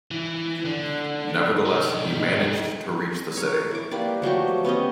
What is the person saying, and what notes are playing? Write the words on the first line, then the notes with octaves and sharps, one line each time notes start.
Nevertheless, he managed to reach the city.
E3
D3
D3 D#4
A#4 C#5
E4 D6
A#3 G4 B4 D5
F3 F#3 A3 G4
B3 C#4 G4 D#5